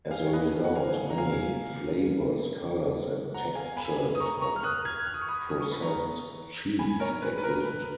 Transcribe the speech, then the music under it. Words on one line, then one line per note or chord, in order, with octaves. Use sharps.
As a result, many flavors, colors, and textures of processed cheese exist.
F5 G#5
C#5
B4 D#5
F#5
F5 G#5
A#5
F5 G#5
F#5 A#5
F5 G#5
G#5 B5
D#6
A#5 C#6
A#5 C#6
F6
D#6 F#6
F6 G#6
F6
D#6
C#6
B5 D#6
D#6
C#6
B5
A#5 C#6
G#5 B5
A#4 C#5
B4
B4
A#4
B4